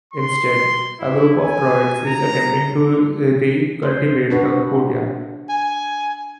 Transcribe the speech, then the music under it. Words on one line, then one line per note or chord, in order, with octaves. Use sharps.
Instead, a group of druids is attempting to recultivate the courtyard.
C6
E4
G#5
A#5
C5
D4 F#4 B4
G#5